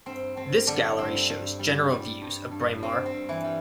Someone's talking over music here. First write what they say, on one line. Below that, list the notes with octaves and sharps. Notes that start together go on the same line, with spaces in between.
This gallery shows general views of Braemar.
G2 C4
G2 C4
D3 G3 D4
G2 C4
G2
G3
G3
G2
G2
G2 C4
C4
G2
E3 E4
G3